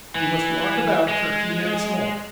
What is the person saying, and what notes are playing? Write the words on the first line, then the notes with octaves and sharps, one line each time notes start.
You must walk about for a few minutes more.
E3
G#3